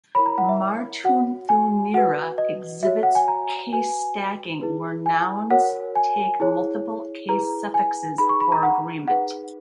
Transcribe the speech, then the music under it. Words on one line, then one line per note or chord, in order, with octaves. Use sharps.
Martuthunira exhibits case stacking, where nouns take multiple case suffixes for agreement.
E4 A#4 C#5 B5
A#5
F#5
E5
F#4 C#5 F#5
G#5
F#4 B4 F#5
D#5
F#4 C#5 E5
F#5
G#5
A#5
F#4 B4 G#5
E4 G#4 B4
G#5
F#4 A#4 C#5 F#5
G#5
E4 G#4 C#5
E4 G#4 B4 A#5
G#5
D#4 G#4 B4 B5
C#6
B5
A#5
F#5
D#4 G#4 B4 F#5